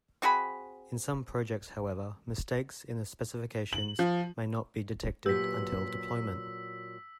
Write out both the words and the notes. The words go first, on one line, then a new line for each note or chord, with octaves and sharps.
In some projects however, mistakes in the specifications may not be detected until deployment.
C4 F#4 G#4 B5
F#7
F3
A#2 F#3 B3 G4 E6 B6